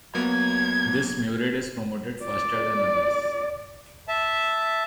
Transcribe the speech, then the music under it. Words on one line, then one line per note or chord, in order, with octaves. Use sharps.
This Murid is promoted faster than others.
F#3 A#3 B3 G#6
D5
E5 A5